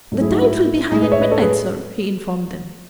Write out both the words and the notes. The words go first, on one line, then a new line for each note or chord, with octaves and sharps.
"The tide will be high at midnight, sir," he informed them.
G#2 F#3 A3
E4 G#4
D#4 F#4
E4
A2 G#3 E4 G#4
G#4 B4
C#5 E5
B4 D#5
A4 C#5
G#4 B4